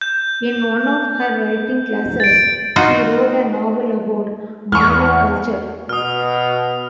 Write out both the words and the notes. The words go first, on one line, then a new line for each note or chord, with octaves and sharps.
In one of her writing classes, she wrote a novel about Mayan culture.
G6
A6 D7
D#4 F4 F#4
E2 C#6 F6
B2 D#6 F6